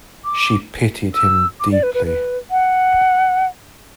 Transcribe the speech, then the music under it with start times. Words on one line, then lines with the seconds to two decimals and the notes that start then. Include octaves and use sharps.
She pitied him deeply.
0.24 D6
1.14 E6
1.60 D6
1.72 D5
1.83 B4
1.94 B4
2.06 B4
2.51 F#5